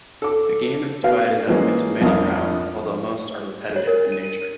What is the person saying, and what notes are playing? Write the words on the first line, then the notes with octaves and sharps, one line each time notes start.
The game is divided up into many rounds, although most are repetitive in nature.
A4 D6
B2 B4 F5
E3 F3 G#3 A#3 C#4
A#1 F2 D4 F4 A#4 D#6
C#5
A#4
D#7